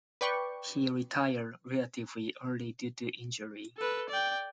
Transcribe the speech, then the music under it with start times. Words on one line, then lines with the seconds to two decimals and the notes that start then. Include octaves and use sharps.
He retired relatively early due to injury.
0.21 B4 D5 G5 C#6
3.77 A4 B4
4.09 D5 G5